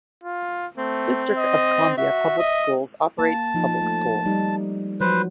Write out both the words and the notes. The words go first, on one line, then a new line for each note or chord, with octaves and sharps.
District of Columbia Public Schools operates public schools.
F4
A3 C4
D#5
F#4 E5
D#5
A#3 A5
F3 D#4
A3
G3 D#4
F3 F#3 B4 C5